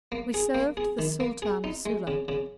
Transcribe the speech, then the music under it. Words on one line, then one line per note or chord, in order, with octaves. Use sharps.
We served the Sultan of Sula.
A#3
G#4
A#3
G#4
D#3
A#3
G#4
D#4
G#3
C#3
C#3